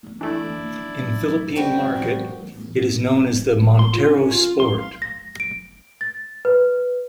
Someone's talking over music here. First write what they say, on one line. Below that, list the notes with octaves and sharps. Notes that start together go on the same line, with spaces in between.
In Philippine Market, it is known as the Montero Sport.
E3 A3 D4 E4 D5
G3 C4 F#4 G4
C6
F4
C#4
F4
C6
F5
A#6
D7
A6
B4